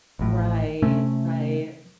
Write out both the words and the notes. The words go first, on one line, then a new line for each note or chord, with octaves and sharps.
Right, right.
A1 A2
C3 A3 C#4